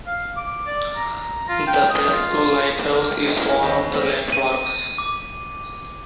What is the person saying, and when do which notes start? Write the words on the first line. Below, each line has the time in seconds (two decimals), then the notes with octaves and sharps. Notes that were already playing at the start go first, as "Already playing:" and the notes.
The Basco Lighthouse is one of the landmarks.
0.06 F5
0.37 D6
0.67 D5
0.96 A#5
1.49 F4
1.67 G5
1.89 D#5
2.11 F4
2.92 A#4
3.26 D#5
3.39 C#4 E4 A#4
3.63 D#2 C4
3.91 C5
4.32 D#7
4.98 D6